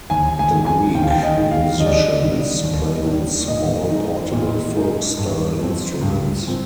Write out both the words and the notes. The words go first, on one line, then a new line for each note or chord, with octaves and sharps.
The Greek musicians play on small portable folk style instruments.
D#2 G#5
G#5
D#3 G#3
G#5
D#2 G5
F5
G5
D#5
D#3 G#3
F5
D#2 D#5
D5
D#5
D#3 G3 D4
D#2
D#3 G3 D4
A#2 D#5
G#3 D#4
A#2
G#3 D#4
G2
F3 C4
G2
F3 C4